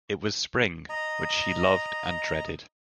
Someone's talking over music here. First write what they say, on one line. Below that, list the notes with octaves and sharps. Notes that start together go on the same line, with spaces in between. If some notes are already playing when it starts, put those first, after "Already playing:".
It was spring, which she loved and dreaded.
D#5 A#5